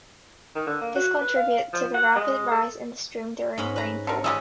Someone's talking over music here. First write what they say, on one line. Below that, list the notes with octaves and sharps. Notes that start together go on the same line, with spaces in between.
This contributes to the rapid rise in the stream during rainfall.
D#3
D3
A#3
F#4
B4
F5
F3
F#5
G#3
A4
G#2 C#4 B5
B4 A#5
D3 A#4
G3 G#3 C#4 D#5 E5